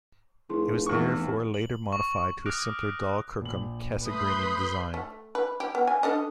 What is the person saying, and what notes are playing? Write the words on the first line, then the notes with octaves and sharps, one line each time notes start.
It was therefore later modified to a simpler Dall-Kirkham Cassegrainian design.
F1 E4 G#4 C6
E2 C#6
F#7
C#6
D6 D#6 F6 F#6 A#6 D7
A#1 F#7
A3 B4 B5 C6 D#6 G6
A3
B4
G4
B3
G#5
D4 A4 D#5